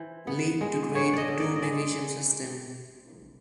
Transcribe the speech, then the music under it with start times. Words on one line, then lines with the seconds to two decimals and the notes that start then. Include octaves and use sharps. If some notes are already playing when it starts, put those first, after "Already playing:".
League to create a two-division system.
Already playing: E3 C5
0.27 B3
0.61 G#3
0.94 B3 C#5
1.13 D5 D#5
1.28 D3
1.40 D5
1.56 D#5
1.62 G#3 D5